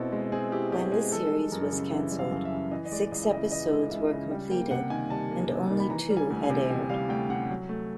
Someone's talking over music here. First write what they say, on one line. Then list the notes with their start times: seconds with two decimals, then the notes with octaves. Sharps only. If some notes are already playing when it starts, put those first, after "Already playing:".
When the series was cancelled, six episodes were completed and only two had aired.
Already playing: B2 C4 E4 A4
0.12 G#3
0.32 C4 G#4
0.52 E4 G4
0.72 B2 G4
0.92 G#3 G#4
1.12 E3 A4
1.31 G3
1.52 F#2 A#4
1.72 C#3
1.91 E3 E5
2.11 G3
2.19 F5
2.31 F#2
2.45 E5
2.52 C#3
2.71 E3 D#5
2.85 D#5
2.92 G#3 D5
3.11 C#2 D#5
3.23 E5
3.31 C#3 D#5
3.51 E3 D#5
3.71 G#3
3.91 C#2 E5
4.11 C#3
4.31 G3 G5
4.50 A#3 G5
4.71 C3 F#5
4.90 D#3 G#5
5.10 G3 A5
5.31 A#3
5.51 C3
5.70 D#3
5.80 B5
5.90 E3 A#5
6.10 G3
6.17 G#5
6.30 D2
6.43 G#5
6.50 C3
6.70 E3 G5
6.89 G3 F5
7.09 D2 G5
7.30 C3 F#5
7.49 F#3
7.69 A3